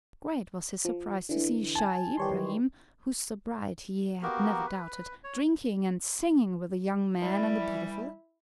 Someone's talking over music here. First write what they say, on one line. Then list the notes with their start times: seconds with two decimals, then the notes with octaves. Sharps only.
Great was his surprise to see Scheih Ibrahim, whose sobriety he had never doubted, drinking and singing with a young man and a beautiful lady.
0.85 F3
1.29 D3 E3
1.75 G#5 A5
2.17 D#3 E3 G3 G4 C#5 C6
4.23 A#3 B3 F#4 G4 A#4
4.66 B4
5.24 C#5
7.22 E3 G3 E4